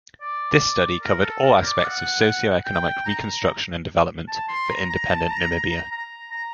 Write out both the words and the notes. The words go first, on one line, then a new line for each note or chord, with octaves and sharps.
This study covered all aspects of socio-economic reconstruction and development for independent Namibia.
D5
A#4
A4
A#4
D5
F#5
G5
A#5
A5
C6
A#5
A#5
A5
A#5
A#5
A#5
A#5
A#5